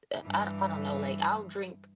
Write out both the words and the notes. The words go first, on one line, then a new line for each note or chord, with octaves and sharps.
uh, I I don't know, like, I'll drink
G2 E3